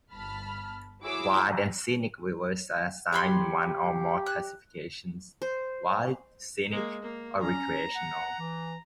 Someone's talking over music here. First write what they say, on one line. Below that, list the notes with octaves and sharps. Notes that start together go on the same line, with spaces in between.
Wild and scenic rivers are assigned one or more classifications: wild, scenic, or recreational.
G1 A5 B5 F6
E4 F#4 G#4 C#5 D6 E6
G4 C#5 B5 C6
F#6
C5
G#3 A#3
A#3
C#4 A#5
F#5
E3